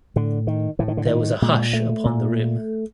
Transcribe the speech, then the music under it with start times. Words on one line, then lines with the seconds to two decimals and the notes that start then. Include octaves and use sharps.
There was a hush upon the room.
0.16 A2 D3
0.47 D#3
0.79 A2 E3
0.88 D#3
0.97 D3
1.06 D#3
1.42 A#2 G#3
1.73 A3
2.05 A#2